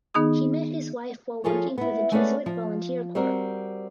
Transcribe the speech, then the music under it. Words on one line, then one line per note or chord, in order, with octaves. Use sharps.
He met his wife while working for the Jesuit Volunteer Corps.
D#3 B3 D#4 G#4 D#6
F3 F4 G#4 A4 C#5
B3 E4
G#3 A3 B3 C#4 B4 D5
F3
G3 C4 F#4 A#4